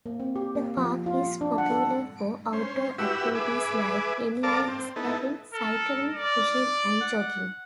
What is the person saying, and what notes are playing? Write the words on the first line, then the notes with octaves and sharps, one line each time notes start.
The park is popular for outdoor activities like inline skating, cycling, fishing and jogging.
A#3
C4
G4
A#3
F3
F4
D4
F#5
A4
C#4 C5
E4 F#4 G4 B4 E6
G#4 B4 E5 D6
A4 A#4 D5 F5 A5 D6
C4
B3 D#4 E4 A4
A4 A#4
D5
F#5